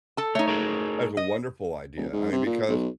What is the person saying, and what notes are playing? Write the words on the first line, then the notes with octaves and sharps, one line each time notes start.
That's a wonderful idea, I mean, because
A4 A5
A3 D#4 C#5
G#4 A#4 C#5
D#5
E1
G#2
C3
A#2
B1